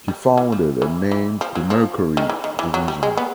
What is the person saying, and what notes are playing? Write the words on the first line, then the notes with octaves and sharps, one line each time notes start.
He founded and named the Mercury division.
G3
E3
F3
E3
E3
F3
F#3
F3
D#3
E3
D#3
E3
F#3
G3
G#3
B3